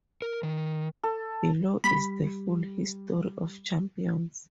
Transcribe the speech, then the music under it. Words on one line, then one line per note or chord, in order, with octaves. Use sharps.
Below is the full history of champions.
A#4
D#3
A4
G3 B5